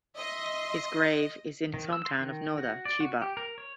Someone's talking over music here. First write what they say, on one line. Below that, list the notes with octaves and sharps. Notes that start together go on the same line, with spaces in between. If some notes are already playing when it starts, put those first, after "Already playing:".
His grave is in his home town of Noda, Chiba.
D#5 E5 C6
D#3
E6
C6
D#3
F#4
D5
F#4
G4
A#4
C#5